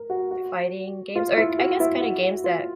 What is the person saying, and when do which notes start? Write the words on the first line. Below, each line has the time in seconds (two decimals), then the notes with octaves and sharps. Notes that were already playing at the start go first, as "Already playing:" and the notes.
fighting games or I guess kinda games that
Already playing: A#4
0.10 F#4
0.31 F#4
1.16 F4
1.38 E4
1.59 F#4
1.80 E4
2.02 F#4
2.23 F#4
2.44 F4